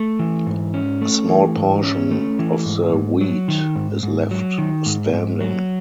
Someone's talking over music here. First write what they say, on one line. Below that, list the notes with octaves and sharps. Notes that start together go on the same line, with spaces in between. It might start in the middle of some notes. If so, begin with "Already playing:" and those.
A small portion of the wheat is left standing.
Already playing: A3
E3
G#2
C#4
A3
E3
G#2
C#4
A3
E3
G#2
G#2
F#3
D#3
G#2
G#2
F#3
D#3
G#2
G#2
F#3